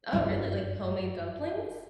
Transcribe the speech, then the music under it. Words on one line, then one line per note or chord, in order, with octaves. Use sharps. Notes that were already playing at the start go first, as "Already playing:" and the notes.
Oh, really, like homemade dumplings?
F#1 C#2 G2 G3